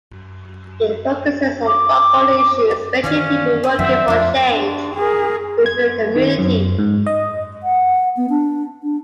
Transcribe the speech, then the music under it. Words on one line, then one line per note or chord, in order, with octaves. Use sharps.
It focuses on local issues, especially "people working for change" within the community.
D6
D#3 E3 C#4 D5 F5 G#5
G#4 C5
F#2 D3 D#3 F3 C4 E5
F2 A#2 F3 A3 D4 F4
D4
G#4 A#4
G#6
D#3
F#2
G#2
D#5
F#5
B3
D4
D4